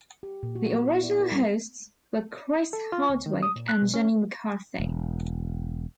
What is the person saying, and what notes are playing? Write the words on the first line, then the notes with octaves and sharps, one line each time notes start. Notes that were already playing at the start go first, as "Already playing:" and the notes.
The original hosts were Chris Hardwick and Jenny McCarthy.
G4
A#2
F#4
B3
E4
D5
A#4
G3
A4
F4
C#2
D#3
D#6
A#2
F#6
B2
C#4
E1